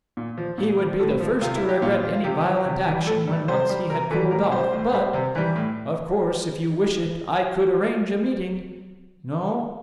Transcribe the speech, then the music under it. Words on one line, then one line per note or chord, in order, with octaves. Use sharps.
He would be the first to regret any violent action, when once he had cooled off, but-- Of course, if you wish it I could arrange a meeting. No?
A#2
F3
A#2
F3
A2 A4
F3
C3 F4
E4
G3
G4
A#2 F4
F3
F4
C3 G4
F3
C3
E3 G3
A2 A4
G3
C3 C5
G3
C3 A#4
E3 G3 A4
A2 A#4
G3 C5
A2
G3
C3
E3 G3
A2